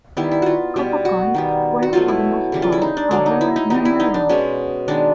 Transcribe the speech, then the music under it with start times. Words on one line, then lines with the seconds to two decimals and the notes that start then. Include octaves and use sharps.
Copper coins, square for the most part, are very numerous.
0.17 D#3 G3 B3 E4
0.31 E4
0.42 F4 F#4
0.76 B2 G3 B3
1.05 F#4
1.34 D#3 G3 B3
1.83 F#4
1.93 B2 F#3 A3 F4
2.08 E4
2.52 C#3 E3 G3
2.62 F4
2.72 E4
2.82 D#4
2.97 D4
3.11 D3 F#3 A#3 D4
3.26 D#4
3.41 E4
3.56 D#4
3.70 E3 G3 B3 D#4
3.85 E4
4.00 D#4
4.14 D4
4.29 B2 G#3 B3 C#4
4.88 D#3 G#3 B3 D4